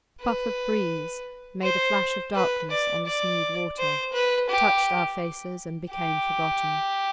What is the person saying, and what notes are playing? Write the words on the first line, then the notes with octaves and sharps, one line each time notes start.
A puff of breeze made a flash of darkness on the smooth water, touched our faces, and became forgotten.
B4
C5
B4
D5
D5
C5
B4
G4
G4